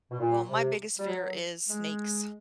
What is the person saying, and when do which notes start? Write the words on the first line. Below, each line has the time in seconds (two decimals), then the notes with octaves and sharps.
well, my biggest fear is snakes.
0.11 B2
0.19 A#2
0.49 C3
0.99 G3
1.09 F#3
1.69 G#3